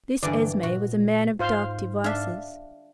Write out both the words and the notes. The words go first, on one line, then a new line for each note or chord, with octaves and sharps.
This Esme was a man of dark devices.
G2 D3 E3 D5
A#2 F#4
G#2 F4 C5 F5
D4 E5 F5